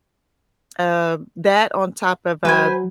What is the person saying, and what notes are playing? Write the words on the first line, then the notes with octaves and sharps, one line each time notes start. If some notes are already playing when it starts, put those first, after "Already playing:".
um, that, on top of, uh,
F#3 B4 C5 G#5